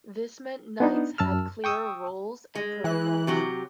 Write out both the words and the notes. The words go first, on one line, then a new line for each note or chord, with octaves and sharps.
This meant knights had clearer roles and protocols.
B3 D4 D#4
F#2 A5 E6 F6
G5 C#6 D#6 E6
G#3
E3 F#6
C3 F#3 G4